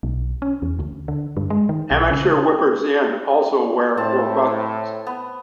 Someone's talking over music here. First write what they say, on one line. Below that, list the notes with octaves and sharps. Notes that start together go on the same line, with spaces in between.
Amateur whippers-in also wear four buttons.
B1
C#4
E2
D2
D3
G2
G#3
D#3
B1
C#3
A2 C4 A5
B3